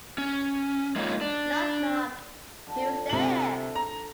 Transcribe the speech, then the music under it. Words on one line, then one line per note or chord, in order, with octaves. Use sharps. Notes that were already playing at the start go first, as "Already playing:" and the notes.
Knock Knock, Who's There?
C#4
G#3 A#3 D#4 F4 C#5
D4
D3 F3
C3 D4 F#7
A#5